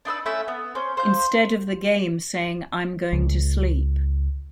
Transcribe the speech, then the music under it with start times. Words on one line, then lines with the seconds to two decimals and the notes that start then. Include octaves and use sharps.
Instead of the game saying I'm going to sleep.
0.05 D4 D#4 B4 E6
0.26 A3 C#4 E4 E5
0.48 B3
0.75 C#4 C5
0.97 C5 F5 G6
3.13 C#2